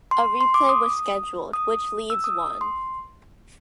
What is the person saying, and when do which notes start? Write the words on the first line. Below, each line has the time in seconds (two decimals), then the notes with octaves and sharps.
A replay was scheduled, which Leeds won.
0.11 C6
0.41 C6
0.54 D6
0.69 D#6
1.53 D#6
2.10 E6
2.24 D#6
2.61 C6